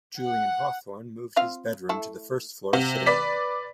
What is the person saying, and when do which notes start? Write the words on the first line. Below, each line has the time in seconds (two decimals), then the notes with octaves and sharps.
Julian Hawthorne moved his bedroom to the first floor sitting room.
0.18 F#5
1.36 C4 F4 F5
1.89 A3 E4 A4
2.73 C3 F5 F#5
3.06 B4 D5 B6